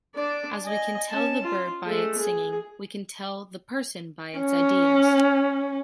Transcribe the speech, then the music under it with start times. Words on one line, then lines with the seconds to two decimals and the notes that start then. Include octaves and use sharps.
As we can tell the bird by its singing, we can tell the person by its ideas.
0.15 D4 D5
0.64 D#5 G#5
1.10 C#4 A5
1.43 F4
1.85 G#3 A3
2.18 G#4
4.39 C#4